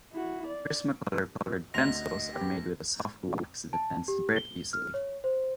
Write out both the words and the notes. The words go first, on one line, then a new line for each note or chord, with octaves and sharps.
Prismacolor colored pencils are made with a soft wax that tends to break easily.
E4 F#4
D5
D2 D#5 C6 A#6 F7
B3 G4
A5
G4
G7
F6
C#5
C5